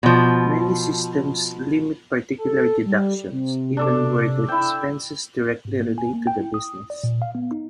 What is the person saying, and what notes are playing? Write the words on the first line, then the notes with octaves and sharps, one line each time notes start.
Many systems limit particular deductions, even where the expenses directly relate to the business.
B2 F3
A4
G3
C3
D4 A4 D6
E4 G5 E6
G#2
A#3
G#5
A#3
G5
E4
D#6
D5
A#2
F5
B3
D#4